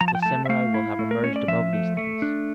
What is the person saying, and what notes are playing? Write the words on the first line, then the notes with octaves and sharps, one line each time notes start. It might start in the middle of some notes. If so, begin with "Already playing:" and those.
The samurai will have emerged above these things.
F3 A#5
A5
G5
A3 A5
E5
A3 F5
E4
A3
A#4
C#4 C#5
D5
F3 E5
A3
A3
D4